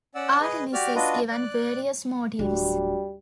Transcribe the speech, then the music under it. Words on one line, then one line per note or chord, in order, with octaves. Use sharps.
Artemis is given various motives.
C#4 D5 F#5 E6
G#4 B4 D#5
F#4 G4 D5 F6
D4 F4 F#4 B4 D#5
D5 F#6
D1 G3 D4 F#4